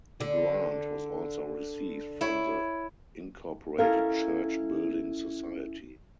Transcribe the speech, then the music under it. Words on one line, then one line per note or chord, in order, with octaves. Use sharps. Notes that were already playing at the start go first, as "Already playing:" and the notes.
A grant was also received from the Incorporated Church Building Society.
D3
E4 C#5
C#4 E4 A4 A#4 D#5 F5